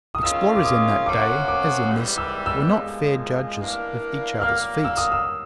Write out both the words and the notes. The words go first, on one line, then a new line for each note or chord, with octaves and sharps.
Explorers in that day, as in this, were not fair judges of each other's feats.
D#6
D#3 G#3 C#4 F4 E6
D6
D#6
C3 F3 A#3 C#4 F#4 D6
D6
G#2 E3 G3
E6
E6
A#2 F3 G#3
E3 G3 A#3 D4
A#2 G3 A#3 F6
E6
D#6
E6